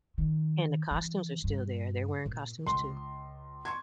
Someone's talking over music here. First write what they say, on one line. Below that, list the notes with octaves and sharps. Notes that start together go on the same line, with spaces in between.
And the costumes are still there, they're wearing costumes too.
D#3
E3
G2
A#2
C#2 C6
C6 C#6 G#6